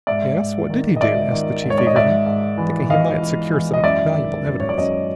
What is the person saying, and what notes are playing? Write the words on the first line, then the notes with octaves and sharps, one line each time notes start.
"Yes, what did he do?" asked the chief eagerly, thinking he might secure some valuable evidence.
G#2 D5 E5
G#2
D#3
D#5
G#2 D5 E5
D#3
G#2
C#5
D5
D#5
G#2 D5 E5
G#2
E3
E3 D#5 F5
E3
E3
D#5
F#2 D5 E5
D#3
F#2
C#5
D5
F#2 C#5 D#5